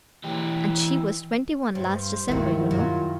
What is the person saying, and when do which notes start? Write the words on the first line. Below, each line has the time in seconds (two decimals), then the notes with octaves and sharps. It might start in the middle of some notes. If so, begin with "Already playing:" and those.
And she was twenty-one last December, you know.
0.24 E3 G4
1.75 G2 C5
2.28 G2 D#3 F#3 G#3 A3 E4
2.71 F#2 F#3 F4